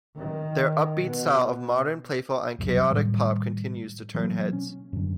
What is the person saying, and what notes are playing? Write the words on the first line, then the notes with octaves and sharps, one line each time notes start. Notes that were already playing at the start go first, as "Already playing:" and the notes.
Their upbeat style of modern playful and chaotic pop continues to turn heads.
D#3
B2
C2 F2 C3 F#3
A2 D#3 G3
B2 E3 F#3 A#3
C#4
F#2 D3